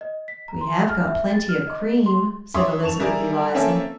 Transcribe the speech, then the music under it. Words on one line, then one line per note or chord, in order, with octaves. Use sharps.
"We have got plenty of cream," said Elizabeth Eliza.
D#5
B6
A#5
C6
A5
F6
E5
A6
F6
D#5
C6
C#5 E5 C6 D6 D#6
A5 C#6 E7 F7
G3 E4 G#4 A#4 D5
A#3 C4 C#4 A4 E5 A5